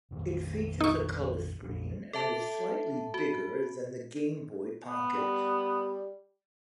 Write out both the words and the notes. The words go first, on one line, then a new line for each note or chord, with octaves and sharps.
It features a color screen, and is slightly bigger than the Game Boy Pocket.
A#1 F2 D#3
D#4 C#6
A#1 F2
A4 E5 A5
F#4
B3
G3